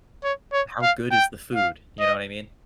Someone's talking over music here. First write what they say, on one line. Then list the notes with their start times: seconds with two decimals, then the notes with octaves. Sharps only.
How good is the food? You know what I mean?
0.24 C#5
0.53 C#5
0.82 F5
1.11 G5
1.55 F5
2.00 D#5